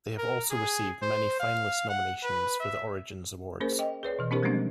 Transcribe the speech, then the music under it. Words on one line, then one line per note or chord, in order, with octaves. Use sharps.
They have also received many finalist nominations for the Origins Awards.
A#4
G#4
C5
F5
F#5
B4
E5
A#3 C#4 G#4 A#4 C5
D#5 G5
G#4 B4 C#5 D5
B2 E3
B3 C#4 D#4 G4 A#4 C5
F3 G3 G#3 A#3 C4 D4